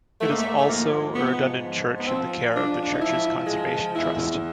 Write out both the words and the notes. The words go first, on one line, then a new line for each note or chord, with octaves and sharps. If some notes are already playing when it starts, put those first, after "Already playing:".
It is also a redundant church in the care of the Churches Conservation Trust.
G#2 A3
A#3
A3
A3
F3 A#3
G#2 B3
F3
B3
F3 C4
G#2 D4
D4
D#4
F3 E4
G#3
E2 E4